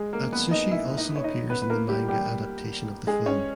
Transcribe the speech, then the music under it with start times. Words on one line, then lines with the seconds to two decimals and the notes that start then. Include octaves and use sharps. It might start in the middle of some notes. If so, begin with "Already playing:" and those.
Atsushi also appears in the manga adaptation of the film.
Already playing: G#3 G#4
0.13 A#3 A#4
0.32 B3 B4
0.51 D#4 D#5
0.71 E4 E5
0.97 D#4 D#5
1.16 C#5
1.24 D#4 D#5
1.50 B3 B4
1.62 B4
1.70 A#3 A#4
1.89 G3 G4
2.08 G3 G4
3.07 G#3 G#4
3.26 C#4 C#5